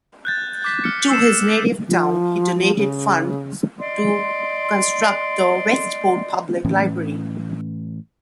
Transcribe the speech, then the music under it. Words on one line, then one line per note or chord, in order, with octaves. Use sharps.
To his native town he donated funds to construct the Westport Public Library.
F#6 G6 A6
D6 B6
F6 C#7
E6 C7 C#7 E7
F3
C#3
D5 D#5 C6
A2 E3 C#4